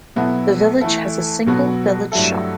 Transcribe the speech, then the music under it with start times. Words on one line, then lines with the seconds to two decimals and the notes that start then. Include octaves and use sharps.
The village has a single village shop.
0.16 B2 F#3 B3 E4 A4
0.81 E3 A3 E4 A4
1.46 B2 F#3 B3 F#4 A4
2.12 G2 F#3 A3 E4 A4